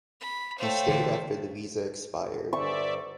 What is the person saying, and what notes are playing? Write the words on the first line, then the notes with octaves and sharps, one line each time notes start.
He stayed after the visa expired.
B5
A3 C5 C#5 F5 G5
D3 E3
G2 D3 C5 D5 E5 C#6